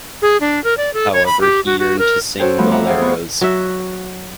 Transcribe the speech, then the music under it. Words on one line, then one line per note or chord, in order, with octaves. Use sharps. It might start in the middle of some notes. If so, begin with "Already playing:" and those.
However, he yearned to sing boleros.
G#4
D4
A#4
D5
A4
C#5
B5
G4
F#4
F#4
A#4
F#4 A4 C5 C#5 G5
E3 F3 G3 A3 B3 D4
E5 F#5 A#5 B5 D6
G#4 C5 F5 G5
B3 C#6
F#3 F#4 E5